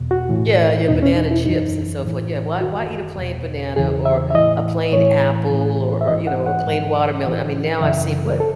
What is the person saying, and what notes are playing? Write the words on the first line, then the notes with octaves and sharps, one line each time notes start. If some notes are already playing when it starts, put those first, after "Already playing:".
Yeah yeah, banana chips, and so forth, yeah, why why eat a plain banana or a plain apple or or, you know, or plain watermelon? I mean, now I've seen what
Already playing: E2 B2
F#4
A2 E3
E2 B2 D#4
C#4
D#4
E4
F#2 E3 D#4
A2 E3
F#2 D#3 F#4
E2 B2
E2 C#3 E3 G#4
E5
E5
A2 E3 D#5
A2 E3 C#5
A2 E3
E5
G#2 E3 D#5
F#5
F#5
G#2 E3
A2 E3
F#2 C#3 E3 E5
A4